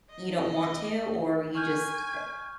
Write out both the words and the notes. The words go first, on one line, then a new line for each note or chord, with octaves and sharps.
you don't want to? Or, you just
D#5
G#5 C#6 F6 G6